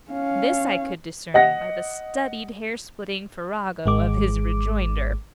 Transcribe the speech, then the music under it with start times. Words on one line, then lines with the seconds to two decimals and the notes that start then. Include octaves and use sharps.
This I could discern by the studied hair-splitting farrago of his rejoinder.
0.11 C#4 F5
1.34 D#5 F#5 A#6
3.86 G#1 G#3 D6